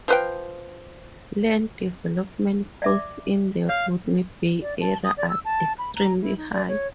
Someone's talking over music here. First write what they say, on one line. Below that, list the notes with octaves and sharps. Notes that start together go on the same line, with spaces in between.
Land development costs in the Rodney Bay area are extremely high.
F3 B4 G5
D5 E5 D6
C#5 F5
D5
A5
D#6
D5
E6
A5
B5
A#5
E4
D#4
D5
C#5